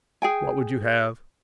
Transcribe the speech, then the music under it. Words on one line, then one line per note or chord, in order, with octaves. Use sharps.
What would you have?
G#4 G5 G#5